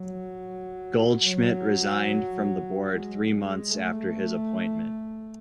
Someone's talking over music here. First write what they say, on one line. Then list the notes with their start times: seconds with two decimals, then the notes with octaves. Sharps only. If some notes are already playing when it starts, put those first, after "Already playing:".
Goldschmidt resigned from the board three months after his appointment.
Already playing: F#3
1.31 F#3
2.90 G#3
3.30 G#3
3.70 A3